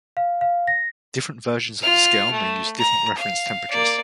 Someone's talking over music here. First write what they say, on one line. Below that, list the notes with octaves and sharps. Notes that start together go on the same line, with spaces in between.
Different versions of the scale may use different reference temperatures.
F5
F5
A#6
F4 F6
A3
A#5
F5
A#3 D5